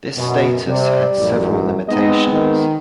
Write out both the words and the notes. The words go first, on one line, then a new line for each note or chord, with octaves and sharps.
This status had several limitations.
F#2 B2
C3 G3 D5
A1 F#2
G#3 B3 C4 D#4 D#5
D#3